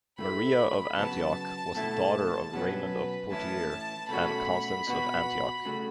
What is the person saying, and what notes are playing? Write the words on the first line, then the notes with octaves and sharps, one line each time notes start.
Maria of Antioch was the daughter of Raymond of Poitiers and Constance of Antioch.
A2 A3 E4 B5
C#3 F#3 B3 A5
B2 A3 E4
B2 F#3 C#4 B4
A2 E3 C#4 E4 A5
B2 A3 C#4 F#4 B5
B2 B3 F#4
C#3 A3 F#4